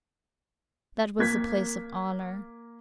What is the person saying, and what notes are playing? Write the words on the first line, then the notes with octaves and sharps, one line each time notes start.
That was the place of honor.
A#3 G#6 B6